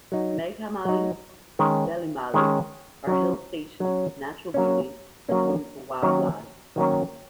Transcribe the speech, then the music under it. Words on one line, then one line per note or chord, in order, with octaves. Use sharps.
Meghamalai, Vellimalai are hill stations with natural beauty and home for wild lives.
F#3 D#4
F#3 D#4
D#3 G#3 C#4
D#3 G#3 C#4
F#3 C#4
F#3 C#4
F#3 A#3 C#4
F#3 A#3 C#4
D#3 F#3 A#3 C#4
D#3 F#3 A#3 C#4